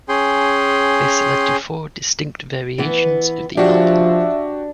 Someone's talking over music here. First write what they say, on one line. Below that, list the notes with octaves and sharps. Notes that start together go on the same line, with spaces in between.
This led to four distinct variations of the album.
C#4 G#4 G5 C6
E3 B3
F3 D4 F#4 G4 E5